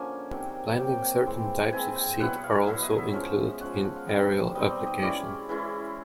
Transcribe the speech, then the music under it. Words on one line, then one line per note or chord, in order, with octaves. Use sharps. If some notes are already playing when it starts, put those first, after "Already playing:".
Planting certain types of seed are also included in aerial application.
Already playing: D3 F3 A#3 C#4 G#5
C3 D#3 F#3 A#3
C3 D#3 F#3 A#3 G5
E3 G#3 C4 E4
E3 G#3 C4 E4 G#5
G5
B2 F#3 B3 E4 F#5
F5
B2 F#3 B3 E4 E5
D#5
E5
F3 G#3 C#4 F5
E5
F3 G#3 C#4 F#5
F#5
F5
B2 G3 C4 D#4
B2 G3 C4 D#4 D#5
D5
D#5
E3 G#3 C#4 E4 D5
E3 G#3 C#4 E4